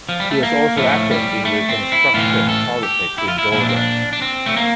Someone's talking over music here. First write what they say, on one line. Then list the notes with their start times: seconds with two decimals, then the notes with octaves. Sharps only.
He was also active in Reconstruction politics in Georgia.
0.09 F3
0.20 G3
0.31 A3
0.43 A#3
0.77 A2 F3 A3
1.11 G3
1.45 A3
1.69 C4
1.92 E4
2.14 A2 E3 F4
2.49 A4
2.83 G4
3.18 E4
3.28 F4
3.38 E4
3.52 A#2 F3 E4
3.61 D4
3.69 C4
3.76 D4
4.13 D4
4.22 C4
4.46 A3
4.57 A#3